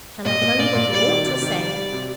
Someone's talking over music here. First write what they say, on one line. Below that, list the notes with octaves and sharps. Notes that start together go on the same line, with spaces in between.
"Shall I tell you what you ought to say?"
A#2 D#5
A#2
A#2 D5
A#2
G3 D5
D#3
C3 D5
D#3
G3
G3
C3